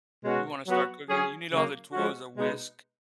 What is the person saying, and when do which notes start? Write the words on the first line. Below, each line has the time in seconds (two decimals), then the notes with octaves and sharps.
If you wanna start cooking, you need all the tools, a whisk,
0.24 B2 G#3 C#4 F#4
0.67 F#3 B3 F#4
1.08 F#3 C#4 G#4
1.51 C#3 F#3 A#3
1.92 F3 G#3 C#4 F#4
2.35 B2 G#3 B3 D#4